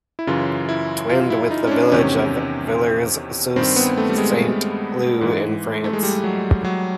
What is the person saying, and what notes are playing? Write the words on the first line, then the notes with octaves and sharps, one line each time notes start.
Twinned with the village of Villers-sous-Saint-Leu in France.
E4
F#2 C#3 E3 F4
E4
F4
E4
D#4
C#4
D4
E2 C3 D#3 C#4
G2 D#3 C4
B3
A3
G3
G#3
G#2 E3
A3
G#3
G3
F#3
F#3